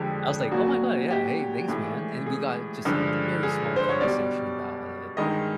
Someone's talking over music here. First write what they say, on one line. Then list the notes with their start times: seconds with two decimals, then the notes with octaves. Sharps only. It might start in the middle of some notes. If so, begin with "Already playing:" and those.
I was like, "Oh my god, yeah, hey, thanks, man," and we got just in t very small conversation about it,
Already playing: F2 D3 F3 G#3 G4
0.51 A#2 F#3 F#4
1.11 G4
1.68 A2 E3 G#3
2.26 G#4
2.85 G2 D3 F3 G#3
3.43 G#4
3.76 C5
3.89 C#5
4.01 B2 G3 D5
5.17 G2 D#3 G#3 D#5